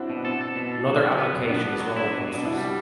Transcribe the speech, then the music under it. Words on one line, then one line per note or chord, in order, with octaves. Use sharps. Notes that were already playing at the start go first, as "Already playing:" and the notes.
Another application is roller coasters.
Already playing: C4 D4 E4 F#4
B2
C4 E4 A4
A4
B2
A4
F#3
B3
B3
F#2
B3 D4 F#4
B3
F#3
E4
B2
B2
D4
C2 E4
G3 F#4
G4